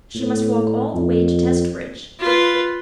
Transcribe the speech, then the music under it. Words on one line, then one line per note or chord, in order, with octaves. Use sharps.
She must walk all the way to Testbridge.
A2
F2
F4 B4